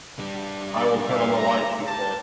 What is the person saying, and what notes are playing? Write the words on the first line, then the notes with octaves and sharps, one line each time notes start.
"I will turn on the light," she said.
G3 D4
D5
E4 E5 F5
A#5
G4 A5